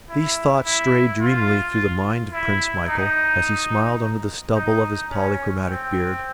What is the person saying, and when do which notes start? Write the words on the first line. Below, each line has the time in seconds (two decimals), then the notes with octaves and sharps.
These thoughts strayed dreamily through the mind of Prince Michael, as he smiled under the stubble of his polychromatic beard.
0.10 E4
0.66 E4
1.21 F4
2.32 E4
2.89 D#4
4.56 D#4
5.11 C#4
5.67 C4